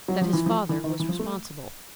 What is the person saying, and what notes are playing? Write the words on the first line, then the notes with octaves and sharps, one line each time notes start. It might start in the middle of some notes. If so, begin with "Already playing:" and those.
That his father was responsible.
F#3
F3
E3
F3
E3
D#3
E3
F3
A3